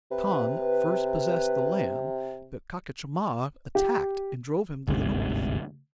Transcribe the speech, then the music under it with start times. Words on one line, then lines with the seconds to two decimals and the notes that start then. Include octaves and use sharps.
Con first possessed the land, but Pachacama attacked and drove him to the north.
0.11 C3 B4
3.75 G4
4.88 G1 D2 G#2 C3